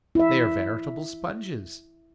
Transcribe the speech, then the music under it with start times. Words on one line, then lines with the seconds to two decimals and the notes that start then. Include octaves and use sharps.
They are veritable sponges!
0.15 E4 E5